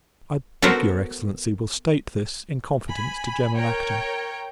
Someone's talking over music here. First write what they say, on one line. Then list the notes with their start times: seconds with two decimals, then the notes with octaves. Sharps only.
I beg your Excellency will state this, in confidence, to General Acton.
0.62 B3 F#4 A4 A#4 C5
2.90 G#5 B5
3.56 A#4 C#5 G5